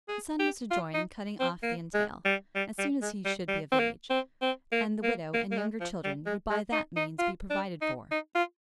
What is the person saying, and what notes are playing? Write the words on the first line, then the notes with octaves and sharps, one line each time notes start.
The son was to join in cutting off the entail, as soon as he should be of age, and the widow and younger children would by that means be provided for.
G#4
G4
F4
D#4
C4
A#3
G#3
G3
G3
G3
G#3
G3
G3
C4
A#3
C4
C4
A#3
A#3
A#3
A#3
G#3
F3
G3
G#3
G#3
D#4
D#4
F4
D4
D#4
D#4
F4